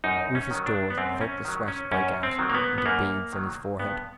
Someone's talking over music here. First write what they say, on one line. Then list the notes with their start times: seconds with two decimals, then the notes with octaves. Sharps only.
Rufus Dawes felt the sweat break out into beads on his forehead.
0.04 F#2 D#4
0.35 C#4
0.51 D#3 F#3
0.66 D4
0.90 B3
0.98 F#2 C4
1.21 C#4
1.45 D#3 F#3
1.68 C#4
1.92 F#2 C#4
2.23 C4
2.39 D#3 F#3
2.50 A#3
2.54 B3
2.78 B3
2.86 F#2 A#3
3.33 D#3 F#3
3.79 G2 B3